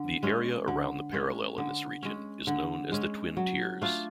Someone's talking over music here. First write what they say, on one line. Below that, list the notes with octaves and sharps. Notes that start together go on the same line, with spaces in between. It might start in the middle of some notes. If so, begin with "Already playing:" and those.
The area around the parallel in this region is known as the Twin Tiers.
Already playing: D3
G#3 C#4
D3
G#3 C#4
D3
G#3 C#4
D3
G#3 C#4
F#3
A3 D4 F4